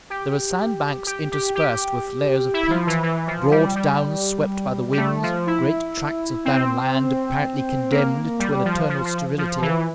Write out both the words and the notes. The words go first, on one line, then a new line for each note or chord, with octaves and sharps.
There were sand-banks interspersed with layers of peat, broad downs swept by the winds, great tracts of barren land apparently condemned to an eternal sterility.
G4
G4
G4
G4
E4
F3
E3
E3
F3
G3
G3
G3
A3
F3
E4
C4
A#3
G3
F3
F3
F3
F3
E3